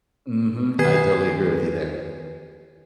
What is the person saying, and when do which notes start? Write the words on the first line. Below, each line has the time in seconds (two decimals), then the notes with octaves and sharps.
Mhm, I totally agree with you there.
0.79 D#3 G4 B4 G#5 G#6 C7